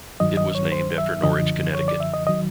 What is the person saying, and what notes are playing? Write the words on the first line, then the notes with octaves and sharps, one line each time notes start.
It was named after Norwich, Connecticut.
G2 D#3 F#3 D#5
D#5
C#5
C5
E5
F#2 D3 F3 D#5
C#5
D5
E5
D#5
D#3 F#3 D#5